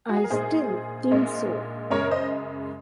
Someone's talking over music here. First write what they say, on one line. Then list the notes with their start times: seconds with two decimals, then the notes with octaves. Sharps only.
I still think so.
0.09 F#4
0.16 G#4
0.24 A#4
0.30 A#1 A#2 G#3 D#4 G#4 C5
1.11 A#1 A#2 G#3 D#4
1.90 F#2 C#3 G#3 A#4 C#5
2.11 C5 D#5